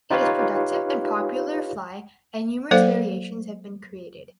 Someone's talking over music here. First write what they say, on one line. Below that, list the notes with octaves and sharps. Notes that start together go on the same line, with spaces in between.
It is productive and popular fly and numerous variations have been created.
D#4 F4 G4 B4 C#5 F5
F#3 A#3 A4 C5 F5